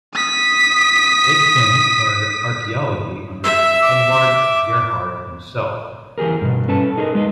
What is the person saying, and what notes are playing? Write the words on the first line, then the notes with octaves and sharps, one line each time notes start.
Abeken learned archeology under Eduard Gerhard himself.
D#6 B6
E5 E6
D6
E3 G4 G#4 A#4
G2 B2
C#4 A4 B4 A5
D#4 G#4 A#4 C5 D#5
G#3 G#4 B4 D#5